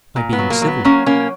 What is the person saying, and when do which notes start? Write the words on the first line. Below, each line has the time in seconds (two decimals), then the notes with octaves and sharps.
By being civil.
0.16 A#2
0.33 B3
0.39 F#3
0.50 A#3
0.61 F#3
0.67 B3
0.84 F#3 A#3 C#4
1.06 B2 A#3 C#4